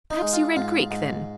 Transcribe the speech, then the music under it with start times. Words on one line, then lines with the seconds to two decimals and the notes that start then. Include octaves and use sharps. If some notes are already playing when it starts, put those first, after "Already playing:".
Perhaps you read Greek, then?'
0.10 D#4
0.22 G#3
0.33 F4
0.56 G#2 F4
0.91 G#2